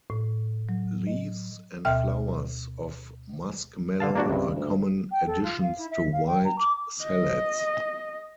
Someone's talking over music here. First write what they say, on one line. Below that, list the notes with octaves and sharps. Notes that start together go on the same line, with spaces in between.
Leaves and flowers of muskmallow are common additions to "wild" salads.
A2
F#3
D#5
D2 B2 E5 G5 F6
D3 F5 A5
A#1 A#3 D4 F#4
C#2 G2 C3
D2
G5
A4
F4
F5
E4
E5
F5
G5
A#5
D6
D#5